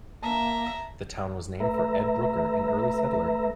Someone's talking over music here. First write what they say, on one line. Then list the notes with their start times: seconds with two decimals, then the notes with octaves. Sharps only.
The town was named for Ed Brooker, an early settler.
0.23 A#3 E5 A5 A#5
1.60 A3 B4 E5 A#5